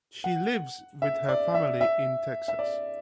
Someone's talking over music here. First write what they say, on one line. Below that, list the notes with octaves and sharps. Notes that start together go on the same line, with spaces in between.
She lives with her family in Texas.
F#5
E5
D5
E5
E5
E5
D5